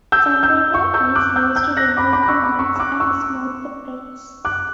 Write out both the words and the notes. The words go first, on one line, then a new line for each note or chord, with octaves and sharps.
Sandpaper is used to remove the marks and smooth the frets.
E6 G6
E6 G6
C#6 E6
E6 G6
D6 F#6
E6 G6
E6 G6
F#6 A#6
B5 D6
B5 D6
F#6
C#6 E6
B5 D6
C#6 E6
E6
D6 F#6
C#6 E6
D6 F#6